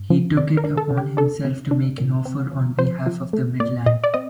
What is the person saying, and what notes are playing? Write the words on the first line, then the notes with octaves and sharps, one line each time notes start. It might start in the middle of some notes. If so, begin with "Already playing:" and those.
He took it upon himself to make an offer on behalf of the Midland.
Already playing: G2
F3
C3 D5
A#4
D4
A4
C3
G4
D4 A4
C3
D4
A#2
C4
F3
F3 C5
F3
A3
A#2 D5
A#2 D#5
D5
C4 D#5